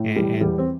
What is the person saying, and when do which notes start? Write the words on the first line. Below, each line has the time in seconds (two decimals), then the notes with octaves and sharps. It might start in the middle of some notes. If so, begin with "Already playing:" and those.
And and
Already playing: A2
0.16 E3 G3
0.41 E2 G3
0.58 C4